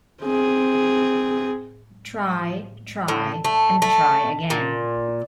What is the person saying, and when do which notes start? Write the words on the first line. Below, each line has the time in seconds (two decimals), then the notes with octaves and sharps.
Try, try, and try again.
0.22 C4 G#4
3.08 A2
3.45 A3
3.82 A3
4.50 A#2